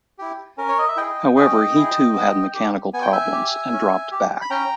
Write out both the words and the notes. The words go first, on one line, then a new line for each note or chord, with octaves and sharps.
However he too had mechanical problems, and dropped back.
E4 G4
C#4 A#4
C#5
D#5
E5
E4 G#4 D#5 G5
C#4 D#5 G5
E4 G#4
B3
G4
B3 G#5
G5
E5 G#5
G4
C#4
G4
B5
C#4 G5 A#5